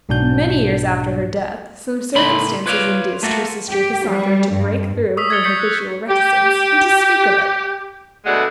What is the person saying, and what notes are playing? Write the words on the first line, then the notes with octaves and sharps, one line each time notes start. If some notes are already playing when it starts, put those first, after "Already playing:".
Many years after her death, some circumstances induced her sister Cassandra to break through her habitual reticence, and to speak of it.
B1 G#2 B2 D4 F#4 G6
C#2 A2 A3 A#3 B5 C6
F4 B4 C#5 D5 F5
A3 A#3 F4 F#4
G4
G3
G2
C#6 D#6 E6 B6
G#6 A6 C#7 G7
C#6 G6 B6 C#7 F#7
F#6
G4
D2 B2 G#3 A3 D5 F#5